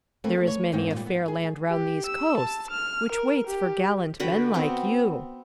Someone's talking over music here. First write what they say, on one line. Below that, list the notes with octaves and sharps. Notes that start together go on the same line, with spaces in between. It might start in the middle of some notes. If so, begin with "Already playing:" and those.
There is many a fair land round these coasts, which waits for gallant men like you.
A3 A#3 C4 B4
C#5
E2 G#2 A#3 C4 D#4
A#2 G3
B3
G#4
G4
E6
A5
F6
A#4
G4
D3 F#4 B4 G5
B3 C4